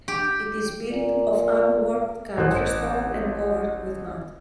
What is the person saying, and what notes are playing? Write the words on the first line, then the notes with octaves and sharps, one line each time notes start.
It is built of unworked country stone and covered with mud.
G4
A#2
A1 C5 F#6